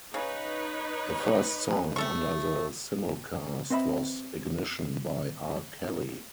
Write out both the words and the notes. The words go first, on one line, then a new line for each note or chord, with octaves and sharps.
The first song under the simulcast was "Ignition" by R. Kelly.
C#3 D#4 B4 C#5
A3 A4 C#6
C4 B4 D#5 E5 B5